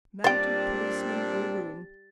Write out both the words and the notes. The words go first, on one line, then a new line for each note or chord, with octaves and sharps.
Mounted Policeman O'Roon.
A#2 G3 C4 D4 C5 G5 A6